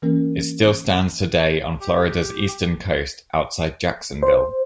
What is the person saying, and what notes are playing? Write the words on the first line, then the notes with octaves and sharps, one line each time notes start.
It still stands today on Florida's eastern coast, outside Jacksonville.
E3 A#3 C#4 A#4
G4
C5